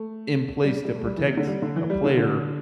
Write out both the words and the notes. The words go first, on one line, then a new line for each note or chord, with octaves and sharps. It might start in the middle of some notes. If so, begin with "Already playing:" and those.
in place to protect a player,
Already playing: A3
G3
G3
A3
G3
E3
C3
D3
G3
D3
E3
G3
D3
D3